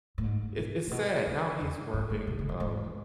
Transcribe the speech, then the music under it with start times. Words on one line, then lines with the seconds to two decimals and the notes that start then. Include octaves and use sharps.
I it's sad! Now he's working, um,
0.18 A2
0.24 G#2
0.59 B2
0.87 A2
0.91 B2
1.26 F2
1.60 E2
1.94 G#2
2.10 A2
2.27 B2
2.39 D3
2.49 E3
2.60 G#2